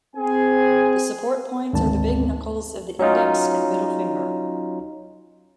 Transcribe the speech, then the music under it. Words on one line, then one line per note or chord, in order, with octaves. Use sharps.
The support points are the big knuckles of the index and middle finger.
C4 G#4 G#5
G#1 D2 D#3 A5
F#3 C#4 D#4 F4